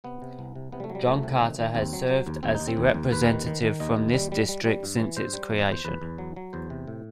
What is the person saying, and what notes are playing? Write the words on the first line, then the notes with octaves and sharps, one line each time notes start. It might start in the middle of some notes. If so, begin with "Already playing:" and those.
John Carter has served as the representative from this district since its creation.
C3 B3
C3
C2
C3
C3 B3
G3
A3
F#3
G3
C2 A3
C3
D#3
D#3
D#2 C4
F#3
F#3
D#2
D#2 C4
D#4
D#2
C4
D#2
D#2
D#2 B4
D#3
D#3
D#3
D#2 D#5
D#2
G3
G3
G3
G3
G2
E3
G2 C5
G3
E2
D#5
E2 C5
E2 B4
E2
F#3
F#3
E2 C5
C3
A2